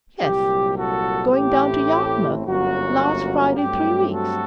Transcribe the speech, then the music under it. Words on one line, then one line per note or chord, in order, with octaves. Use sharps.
"Yes; going down to Yarmouth, last Friday three weeks."
C2 A#2 F#3 G4
F#4 A4
A1 A2 A3 C4 G4
G1 F#2 F#3 A#3 F#4
G2 F#3 A3 C4 G4
F#4 A4